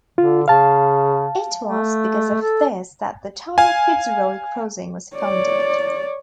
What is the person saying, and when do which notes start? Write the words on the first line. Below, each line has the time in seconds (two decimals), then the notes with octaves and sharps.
It was because of this that the town of Fitzroy Crossing was founded.
0.18 D3 F4
0.48 C#3 F5 A5
1.63 A3
2.41 A4
3.58 F5 G#5
5.17 C#5 D5